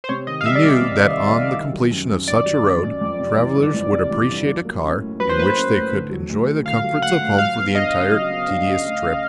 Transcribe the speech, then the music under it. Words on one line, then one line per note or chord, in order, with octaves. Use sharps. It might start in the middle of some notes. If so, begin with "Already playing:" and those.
He knew that on the completion of such a road, travelers would appreciate a car in which they could enjoy the comforts of home for the entire tedious trip.
C5
C3 C#5
D#3 D#5
F5
G3 E5
D5
C2 D#5
C3
D#3
G3
C2
D#3
F#3
F#2
F#2
D#3 D5
F#3
F#2
F#2
F2
C3
E3
G1
F2
C3
E3
G1
F#3
A#3
C#4
A2
F#3 B4
C5
A#3 B4
C#4
A2
D3
F#3
D2
D2
D3 F5
F#3
D2 F#5
D2
F#3 F5
B3
D4 D#5
C#3
F#3
B3
D4
C#3
D2
C#3